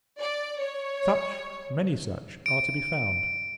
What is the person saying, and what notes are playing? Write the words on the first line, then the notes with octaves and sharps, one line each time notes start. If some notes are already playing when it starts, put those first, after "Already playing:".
Such, many such, are to be found.
D5
C#5
D7